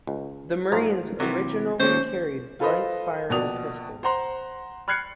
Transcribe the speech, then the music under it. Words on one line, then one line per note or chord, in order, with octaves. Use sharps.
The marines originally carried blank firing pistols.
C#2
G#2 F3 F#3 A#5
C3 E3 F#3
D#2 A#2 C#4 C5
F4 A4 B4 C5 D#5
A#1 B2 F#4 D5 D#6 F7
C5 F#5 A#5 C6
B5 F6 F#6 G#6 C7 C#7